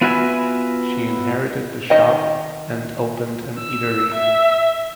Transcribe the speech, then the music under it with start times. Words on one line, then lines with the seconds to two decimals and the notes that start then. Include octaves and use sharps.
She inherited the shop and opened an eatery.
0.01 B3 F4 F#4 B4 E5 G#5
1.90 D#3 D#5 G5
3.59 E6
4.15 E5